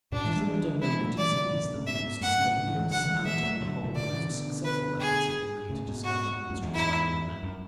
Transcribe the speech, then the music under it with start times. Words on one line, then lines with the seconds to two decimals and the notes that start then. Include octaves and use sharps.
It is in the domain of disease that the most strenuous and, on the whole, the most successful efforts have been made to discover a menstrual cycle in men.
0.12 G#2 B2 D4
0.24 E3 G#3
0.36 F#3 A3
0.48 E3 G#3
0.64 E3 G#3
0.82 E3 G#3 E4
0.99 F#3 A3
1.17 E3 G#3 D5
1.34 D3 F#3
1.46 D3
1.52 C#3 E3
1.64 B2 D3
1.75 A2 C#3
1.87 G#2 B2 E5
1.99 C#3
2.04 G#2 B2
2.21 F#2 A2 F#5
2.38 A2 C#3
2.56 B2 D3
2.67 C#3 E3
2.79 E3 G#3
2.90 D3 F#3 F#5
3.02 C#3 E3
3.09 G#3
3.14 D3 F#3
3.25 E3 G#3 E5
3.43 F#3 A3
3.61 D3 F#3
3.83 B2 D3
3.95 B2 D3 D5
4.13 C#3 E3
4.30 B2 D3
4.65 B4
5.00 G#4
5.70 A2 C#3
5.87 G#2 B2
6.04 F#4
6.50 F#2 A2
6.62 E2 G#2
6.74 E4
7.43 F#2